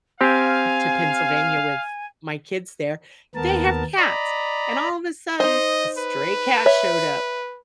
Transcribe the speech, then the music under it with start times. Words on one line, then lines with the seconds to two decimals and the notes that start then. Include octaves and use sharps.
eh, to Pennsylvania with my kids there, they have cats, and all of the sudden, a stray cat showed up,
0.21 C4 G4 F5 G#5
3.36 D#2 B3 A#4 A5
3.97 D5 D#5 A#5 B5
5.40 D#4 C5 D#5
5.98 B4
6.66 C#5 E5